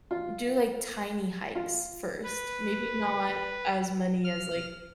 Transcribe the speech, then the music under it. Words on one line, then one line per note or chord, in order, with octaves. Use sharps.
do like tiny hikes first. Maybe not as many as like,
F4
F4
B4
F6